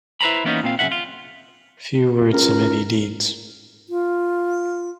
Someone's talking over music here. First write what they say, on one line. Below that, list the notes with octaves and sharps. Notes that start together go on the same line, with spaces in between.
Few words and many deeds.
E4 B4 C5 A#5 B5
E3 A#3 B3 C#4 D#4
A#2 C4 F5
F#2 C#3 E3 F#3 E5 F#5
F4
C#2 A#4
F4